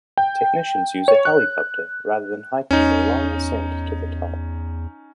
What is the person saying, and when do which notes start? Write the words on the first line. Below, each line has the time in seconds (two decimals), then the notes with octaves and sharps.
Technicians use a helicopter rather than hiking the long ascent to the top.
0.18 G5
1.08 C#5
1.25 F#6
2.71 E2 C#4 D#4